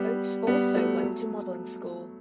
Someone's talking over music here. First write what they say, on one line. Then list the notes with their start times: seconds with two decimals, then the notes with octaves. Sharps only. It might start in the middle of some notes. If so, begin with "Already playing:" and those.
Oates also went to modeling school.
Already playing: G3 B3
0.47 G3 B3
0.76 F#3 A3
1.03 F#3 A3